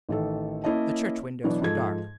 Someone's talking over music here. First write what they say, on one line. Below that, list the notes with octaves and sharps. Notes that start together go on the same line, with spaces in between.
The church windows were dark.
A1 D#3 A4
A#3 C#4 E4 C#5 D#5 A5
B2 E3 F#3 B3 D4
G#2 F3 A4 G#6